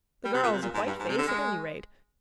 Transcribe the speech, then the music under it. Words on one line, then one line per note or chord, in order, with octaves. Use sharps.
The girl's a white face at any rate.
G3
C3
A#2
C3
A#2
G#2
G2
G#2
C3
D3
G#3